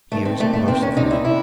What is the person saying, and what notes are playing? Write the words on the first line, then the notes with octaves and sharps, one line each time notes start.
"Here is a parcel for you."
D#3 A3
C4
C3 A3
A3
C3 C4
C#4
C3 D#4
E4
E4